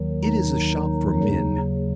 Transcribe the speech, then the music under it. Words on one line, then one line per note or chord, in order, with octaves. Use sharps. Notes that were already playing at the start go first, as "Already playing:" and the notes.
It is a shop for men.
Already playing: D#2 D#3 F#3
D#4
D#2 C#3 F#3